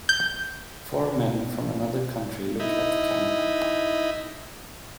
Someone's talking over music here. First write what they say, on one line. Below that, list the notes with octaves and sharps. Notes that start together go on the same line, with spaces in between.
Four men from another country look at the camera.
G6
D#4 E4